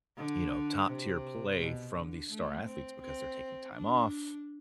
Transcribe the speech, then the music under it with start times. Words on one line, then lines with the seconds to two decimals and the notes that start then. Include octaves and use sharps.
you know, top tier play from these star athletes because they're taking time off.
0.17 D3
0.88 C3
1.59 B2
1.95 D3
2.30 A3
2.66 C4
3.02 C4
3.73 D4